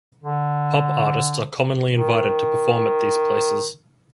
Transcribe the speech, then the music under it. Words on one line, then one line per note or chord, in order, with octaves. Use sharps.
Pop artists are commonly invited to perform at these places.
D3
D#3